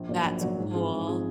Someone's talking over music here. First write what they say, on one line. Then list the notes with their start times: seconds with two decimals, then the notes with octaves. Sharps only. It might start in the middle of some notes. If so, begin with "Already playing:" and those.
That's cool.
Already playing: A#1
0.09 A#2 F#3
0.25 A#1
0.41 A#2 F#3
0.58 G#2
0.74 F3 C4 F4 G#4
0.91 G#2
1.07 F3 C4 F4 G#4